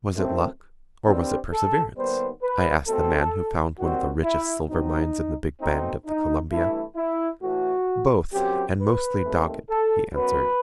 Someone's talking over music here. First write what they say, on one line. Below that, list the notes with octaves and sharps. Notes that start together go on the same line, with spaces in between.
'Was it luck or was it perseverance?' I asked the man who found one of the richest silver-mines in the Big Bend of the Columbia. 'Both and mostly dogged,' he answered.
F#2 D#3 A3 C4
G2 D#3 G3 C4
A4
D#2 D#3 G3 B3 C5
B4
B2 A3 C4 A4
D#2 D#3 G3 C4 F#4
E4
B2 F#3 C4 D#4
B2 A3 C4 D#4
D#4
G2 E3 A3 E4
E4
A2 E3 A3 F#4
F#2 F#3 C4 G4
B4
D#2 D#3 A3 C4
A4
F#2 F#3 B3 B4